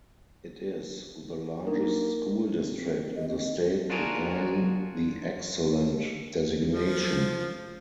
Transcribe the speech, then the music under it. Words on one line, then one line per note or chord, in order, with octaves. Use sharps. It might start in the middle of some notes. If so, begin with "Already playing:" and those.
It is the largest school district in the state to earn the 'Excellent' designation.
A#3 D4 D#4
C4
D#5
C4
D4 F4 F#4 G#4 A#4
F3